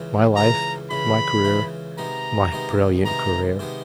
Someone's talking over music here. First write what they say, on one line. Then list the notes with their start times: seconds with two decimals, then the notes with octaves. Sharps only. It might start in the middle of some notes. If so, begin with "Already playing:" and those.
My life--my career--my brilliant career!
Already playing: C#2 C#3 E3
0.37 C#2 C#3 E3 A#5
0.91 C#2 C#3 E3 B5
1.45 C#2 C#3 E3
1.98 C3 D#3 G#3 B3 A#5
2.52 C3 D#3 G#3 B3
3.05 C3 D#3 G#3 B3 A#5
3.59 C3 D#3 G#3 B3